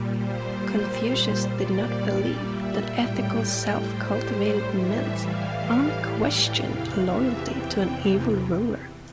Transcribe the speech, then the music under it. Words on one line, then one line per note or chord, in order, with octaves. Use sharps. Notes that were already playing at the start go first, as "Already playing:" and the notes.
Confucius did not believe that ethical self-cultivation meant unquestioned loyalty to an evil ruler.
Already playing: A#2 G3
C5
A#2 G3
D5
E5
A2 G3 G5
G5
C5
A2 E3 G3 E5
F5
G5
E2 C3 E3 F5
E5
G5